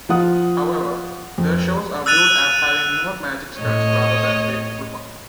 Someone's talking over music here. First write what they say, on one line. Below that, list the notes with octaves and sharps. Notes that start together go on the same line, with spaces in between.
However, their shows are viewed as having more 'magic' stunts rather than painful ones.
F3 F4 F#5 D#6
F2
E6 F#6 A6 D#7 F7
A2 C#5 D#5